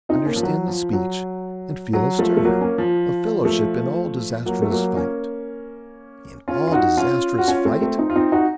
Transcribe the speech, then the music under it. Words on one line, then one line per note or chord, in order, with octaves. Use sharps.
'Understand the speech and feel a stir Of fellowship in all disastrous fight. "In all disastrous fight"?
C4 D#4
A#3 C#4
F3
F#3
F3
F#3
F#3
F3 A3
A3
F#3 A#3
A#3 C#4
F3
F3 A3
F#3 A#3
A3
F#3 A#3
A#3 C#4
C#4 F4
F4
D#4 F#4
C#4 F4
F#4
C#4 F4
A3 C4
A3 C4
C4 D#4
F4
C4 D#4
D#4 F#4